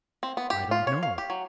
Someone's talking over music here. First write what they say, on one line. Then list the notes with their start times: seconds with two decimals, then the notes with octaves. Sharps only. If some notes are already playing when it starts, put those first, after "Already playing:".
"I don't know."
0.23 C4
0.37 B3
0.50 G4
0.71 F4
0.87 C#5
1.03 F5
1.18 G4
1.30 F#3